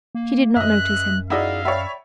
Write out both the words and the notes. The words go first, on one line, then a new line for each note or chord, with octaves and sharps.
She did not notice him.
A#3
F#2 D#5 E5 F#6
D#4 E4 F#4 G#4 D5 D#5 F5
C#5 D5 E5 G5 B5